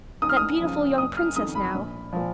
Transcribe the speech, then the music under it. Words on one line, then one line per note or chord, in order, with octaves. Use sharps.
That beautiful young princess, now!
D#2 D#6
F6
D#6
C#3 F3
F#1 D#6
F6
F2 D#3 D#6
B5
A#1
A#2 F3